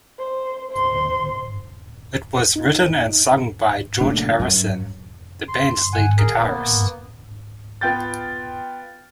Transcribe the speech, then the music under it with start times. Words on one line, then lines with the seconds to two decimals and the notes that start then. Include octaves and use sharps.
It was written and sung by George Harrison, the band's lead guitarist.
0.18 C5
0.71 C5 C6
2.56 D#4
4.01 F#1 A#2 A3 D4
4.39 F#2 F#3
5.48 C6
5.93 F#5 G#5
6.18 G#4 A#4
6.40 A#3 B3
7.81 B3 F4 G5 G6 A6